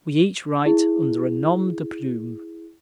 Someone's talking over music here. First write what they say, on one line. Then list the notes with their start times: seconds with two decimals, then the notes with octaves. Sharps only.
We each write under a nom-de-plume.
0.66 E4 G#4